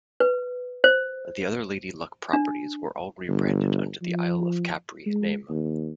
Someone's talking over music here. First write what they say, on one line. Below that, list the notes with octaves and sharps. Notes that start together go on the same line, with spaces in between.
The other Lady Luck properties were all rebranded under the Isle of Capri name.
B4
C5
D4
G1
F3
G#3
D#2